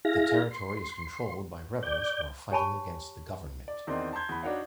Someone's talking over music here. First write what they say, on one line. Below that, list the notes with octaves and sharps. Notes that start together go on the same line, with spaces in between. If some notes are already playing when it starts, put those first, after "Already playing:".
The territory is controlled by rebels who are fighting against the government.
E4 G#4 F5 A#6
C6
D5 G6
G4 C#5 G#5 A5 B5 C#6
D5
E2 D#3 C4 D5 D#5 C6
A5 A#5 C6 G6 G#6
E2 B5
D4 D#4 F#4 C#5 F5